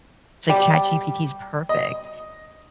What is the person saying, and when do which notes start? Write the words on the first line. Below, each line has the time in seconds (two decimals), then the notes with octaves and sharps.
it's like ChatGPT is perfect.
0.49 G3 G4
1.69 D#5